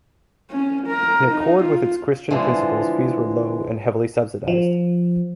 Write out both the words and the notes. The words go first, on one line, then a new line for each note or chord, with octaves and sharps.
In accord with its Christian principles, fees were low and heavily subsidised.
C#4
A#4
D#4
F4
D3 E3 F3 G#3
F3